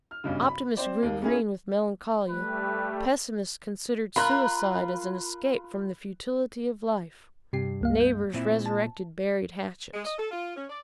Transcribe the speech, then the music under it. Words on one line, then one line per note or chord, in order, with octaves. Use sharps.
Optimists grew green with melancholia, pessimists considered suicide as an escape from the futility of life, neighbors resurrected buried hatchets.
F6
B1 G2 C#3
B5
C4 C5 D5
D#2 A#3
A#3 B3 C#4 E4 G#4
G3 A3 B4
F4 A#4 B5 F#6
G2 C3 G4 C7
C#2 A#3 F5
G6
A#2 C4 E4
A5
G#3
D#5
A4
F4
C#4
D5